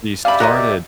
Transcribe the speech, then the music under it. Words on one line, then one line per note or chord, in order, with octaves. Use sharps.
she started
C#4 G4 D5 E5 F5 B5
F#4 A#4 D#5